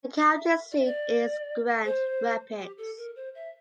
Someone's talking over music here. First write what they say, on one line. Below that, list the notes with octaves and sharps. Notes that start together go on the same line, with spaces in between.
The county seat is Grand Rapids.
E5
D5
E5
D5
C5
G4
A4
A#4
C5
E5